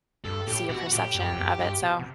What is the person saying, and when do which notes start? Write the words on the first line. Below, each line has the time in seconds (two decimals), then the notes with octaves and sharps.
see your perception of it, so I
0.24 G2 A4
0.48 A2 G4
0.69 B2 F#4
0.92 A2 G4
1.15 F#2
1.32 E2
1.38 F#2
1.59 G2
1.82 B2
1.99 C3